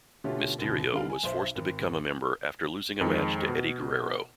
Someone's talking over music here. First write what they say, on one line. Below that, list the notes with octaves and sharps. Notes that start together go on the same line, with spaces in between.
Mysterio was forced to become a member after losing a match to Eddie Guerrero.
B2 D3 A3 C#4 F4 G4
G#1 D2 B2
D#1 D3 G3 F5
G#5
B1 C5 E5
G#1
F2 D#3 G#3
B2